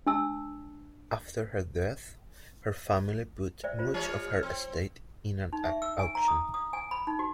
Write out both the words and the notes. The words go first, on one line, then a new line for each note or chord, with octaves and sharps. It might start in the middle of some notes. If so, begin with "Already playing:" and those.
After her death, her family put much of her estate in an auction.
D4 A5 E6
C5 D5 E5
F4 C5
G3 C#5
C4
D#4
E5
E6
G#5
A#5
D#6
D#6
G#5
B5
D#4
F#4